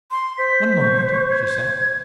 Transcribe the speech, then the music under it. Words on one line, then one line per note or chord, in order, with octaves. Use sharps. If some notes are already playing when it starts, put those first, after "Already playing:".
"One moment," she said.
C6
C5 B6
C#6
G#6